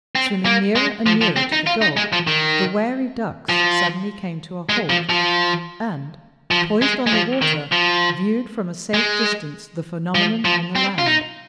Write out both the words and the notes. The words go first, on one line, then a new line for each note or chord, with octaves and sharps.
Swimming nearer and nearer to the dog, the wary ducks suddenly came to a halt, and, poised on the water, viewed from a safe distance the phenomenon on the land.
C4
A#3
G#3
F3
F3
C4
D#4
F4
D#4
G#3
F3
D#3
F3
G#3
F3
F3
F3
G#3
G#3
F3
D#3
F3
G#3
F3
F3
C4
F4
D#4